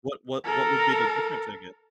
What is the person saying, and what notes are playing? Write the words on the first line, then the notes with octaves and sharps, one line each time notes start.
What what what would be the difference, I gue
A4 A#4